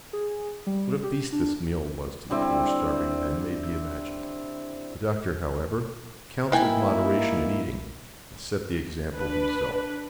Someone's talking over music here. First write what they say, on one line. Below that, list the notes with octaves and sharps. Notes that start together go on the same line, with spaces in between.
What a feast this meal was to the poor starving men may be imagined. The Doctor, however, counselled moderation in eating, and set the example himself.
G#4
G3
G4
D4
D3 G3 C4 E4
E3 A#3 D#4 E4 G5 G#5
D4 B4